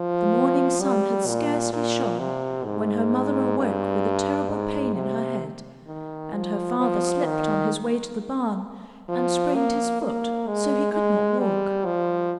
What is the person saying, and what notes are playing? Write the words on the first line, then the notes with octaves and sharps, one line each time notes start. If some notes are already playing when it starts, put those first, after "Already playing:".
The morning sun had scarcely shone when her mother awoke with a terrible pain in her head, and her father slipped on his way to the barn and sprained his foot so he could not walk.
Already playing: F3
G3
A#2
A#2
C3
G#2
G2
G#2
C3
D#3
F3
F3
D#3
F3
A#3
A#3
G#3
G#3
G3
F3